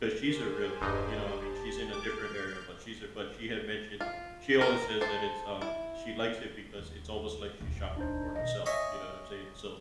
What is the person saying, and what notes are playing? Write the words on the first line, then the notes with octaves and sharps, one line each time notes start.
'cause she's a realtor, you know, I mean, she's in a different area, but she's a but she had mentioned she always says that it's, um she likes it because it's almost like she's shopping for herself, you know what I'm saying, so
G4 A#4 C5 G#5
E1 G2 D#4 G#4
G4 A5
D6 F6 G6
F4
A#4
A4 C5
E4
D#2
D#1 C#2
D4 D#4 C5
B2 D#3 D#5
C#5 D#5 E5 G#5